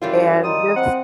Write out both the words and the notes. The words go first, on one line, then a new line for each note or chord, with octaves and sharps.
and this
F#2 E3 G3 E4 F4
D#5 A#5 C6 D#6
C4 F#5